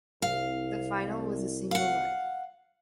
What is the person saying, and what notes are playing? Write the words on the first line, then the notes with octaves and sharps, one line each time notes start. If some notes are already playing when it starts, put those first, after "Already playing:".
The final was a single leg.
C2 F5
F5 F#5